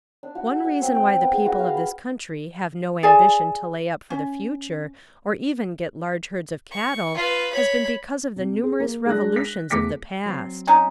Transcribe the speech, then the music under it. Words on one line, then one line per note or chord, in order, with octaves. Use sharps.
One reason why the people of this country have no ambition to lay up for the future or even get large herds of cattle has been because of the numerous revolutions of the past.
D4
F#4
A4
G#5
C4
G5
G5
B3
G#4
F#4
F5
B5
G#4 A4 D5 G#5
C#4
C#6
F4 B4
C#5 B5
C3
G#4
A#3
G#3 D4 F#6 A#6
B6
E2 A3 D6 B6 C#7
F#3 C4
C#4 D#4